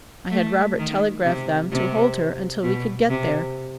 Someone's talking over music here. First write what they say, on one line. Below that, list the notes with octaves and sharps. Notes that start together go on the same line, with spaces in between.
I had Robert telegraph them to hold her until we could get there.
A3
D#3
C3
C3
B2
C3